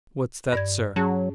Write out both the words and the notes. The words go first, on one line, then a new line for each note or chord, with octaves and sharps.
"What's that, sir?"
G2 D5 G#6
F#3 C#4 G#4 A5